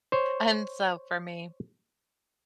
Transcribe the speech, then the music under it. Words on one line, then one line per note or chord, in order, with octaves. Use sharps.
And, so, for me,
C5 C#5